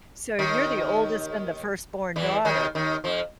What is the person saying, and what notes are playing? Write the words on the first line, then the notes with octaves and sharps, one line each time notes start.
So, you're the oldest and the firstborn daughter.
D#2 D#3
E2 E3
D#2 D#3
D#2 D#3
F2 F3